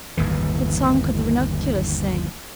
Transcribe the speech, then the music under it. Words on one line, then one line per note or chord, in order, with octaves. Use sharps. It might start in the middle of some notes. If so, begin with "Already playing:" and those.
What song could the Ranunculus sing?
G1 D#2 A2 E3